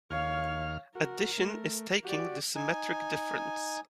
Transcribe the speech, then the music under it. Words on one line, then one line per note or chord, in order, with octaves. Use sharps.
Addition is taking the symmetric difference.
D#2 C#5 F5 F6
F#4 A#4
A3
F#4 G4 D5
D#4 G#5